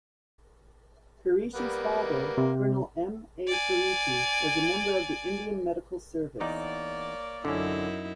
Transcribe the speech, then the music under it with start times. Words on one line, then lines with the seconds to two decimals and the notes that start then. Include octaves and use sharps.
Kureishi's father, Colonel M. A. Kureishi, was a member of the Indian Medical Service.
1.55 G3 A#3 B3
2.38 C3
3.47 D5 G#5
6.41 E2 A#3 D#4 C#5 D5
7.45 F#2 D3 C#4 D#4 E4